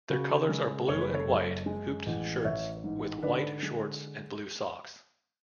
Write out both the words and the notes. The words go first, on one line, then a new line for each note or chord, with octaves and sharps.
Their colors are blue and white hooped shirts with white shorts and blue socks.
C#3 F#4
G#3
F#1 C#5
B4
A4 C#5
F#2
G#3
A1
A1 C#5 E5
G#2
D3 B4 D5
G#3